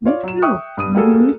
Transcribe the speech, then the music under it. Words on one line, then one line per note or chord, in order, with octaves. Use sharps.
Me too. Mhm.
F4 C#5 D5
F#3 E7
E5 G5 C#6 D#6 F#6
G2 D#6 D#7
G3 A3 A#3 F#4 G#4 A4